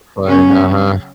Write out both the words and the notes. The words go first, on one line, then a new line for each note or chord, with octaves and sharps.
Like, uh-huh.
C#3 F#3 B3 C#4